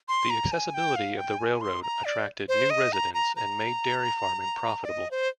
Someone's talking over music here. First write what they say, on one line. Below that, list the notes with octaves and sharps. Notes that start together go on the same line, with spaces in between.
The accessibility of the railroad attracted new residents and made dairy farming profitable.
C6
A#5
G#5
G5
F5
G5
G#5
C6
A#5
D5
C5
D#5
A#5
A#5
A#5
D5
D#5
C5